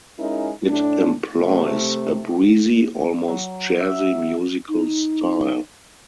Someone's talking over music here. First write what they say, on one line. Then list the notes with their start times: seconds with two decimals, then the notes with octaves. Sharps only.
It employs a "breezy, almost jazzy musical style".
0.18 G#3 C#4 D#4 E4 A#4
0.69 A2 D4
1.40 C3 A3
3.28 F#3
3.81 E5
4.68 D#4